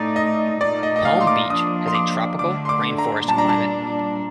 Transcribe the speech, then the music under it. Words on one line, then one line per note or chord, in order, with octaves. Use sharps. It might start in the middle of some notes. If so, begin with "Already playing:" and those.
Palm Beach has a tropical rainforest climate.
Already playing: A2 A3 D#4 D5
D#5
A#2 A3 D#4 D5
D#5
D#5
F5
C6
D6
F3 A#3 D4 D#6
C6
D6
D3 A3 D4 D6
C6
D6
A#5
A#2 G3 D4 A5
A#5
A5